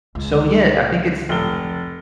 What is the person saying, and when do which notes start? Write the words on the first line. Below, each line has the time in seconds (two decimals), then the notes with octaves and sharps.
So, yeah, I think it's
0.15 C#2
1.29 F1 G7